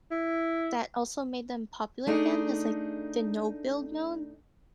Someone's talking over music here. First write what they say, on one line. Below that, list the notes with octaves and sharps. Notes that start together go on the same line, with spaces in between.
that also made them popular again is, like, the no build mode,
E4
A3 D4 D#4 G#4